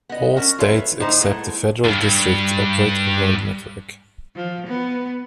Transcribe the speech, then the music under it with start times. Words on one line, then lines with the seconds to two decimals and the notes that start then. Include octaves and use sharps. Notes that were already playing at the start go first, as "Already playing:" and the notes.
All states except the Federal District operate a road network.
0.09 B3 D#5
0.36 C#4 F#4 A#4
0.59 F4 A4 B4 C#5 E5
1.00 A2 D3 D#4 C5 A#5
1.19 G#3 A3 B3 E4
1.84 C#2 G2
4.35 F3
4.67 B3